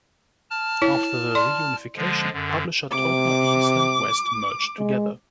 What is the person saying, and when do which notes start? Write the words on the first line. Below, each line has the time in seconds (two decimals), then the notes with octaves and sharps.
After the reunification, publisher Teubner East and West merged together.
0.50 A5 F6
0.82 E4 C#5
1.35 D5 C6
1.97 D3 F3 G#3
2.33 F#2 D3
2.93 C3 D6
4.79 G#3